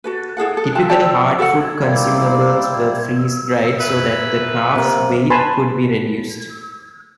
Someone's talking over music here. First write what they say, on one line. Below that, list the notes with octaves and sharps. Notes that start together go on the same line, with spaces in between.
Typically, hard-food consumables were freeze dried so that the craft's weight could be reduced.
F#4 A4 B4
E4 G#4 A4 F#5
A4
E4 F4 G5 A5
C5 D5 G5 A5
F#4 A4 D5 F#5
G3 A#3 E4 C5 D5
G#2 B4 E5
C3 A#3
B4 G#5 A5 B5 C6